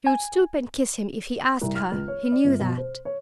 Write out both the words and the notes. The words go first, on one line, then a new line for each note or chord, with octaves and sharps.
She would stoop and kiss him if he asked her; he knew that.
G#5
C2
F6
C#2
C#5
D5
G1
B2
C5
C#5